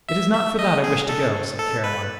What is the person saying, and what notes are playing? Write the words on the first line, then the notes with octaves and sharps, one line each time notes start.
"It is not for that I wish to go," said Caroline.
E5
E5
D#5
G#4
A4
A4
B4